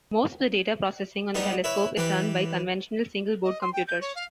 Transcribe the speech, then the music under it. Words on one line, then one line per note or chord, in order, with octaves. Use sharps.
Most of the data processing on the telescope is done by conventional single-board computers.
G3 B3 D#4 G4
E4 B4 C#5
E3 G4 B4
D#5
C6
G5
G6
C#5
F5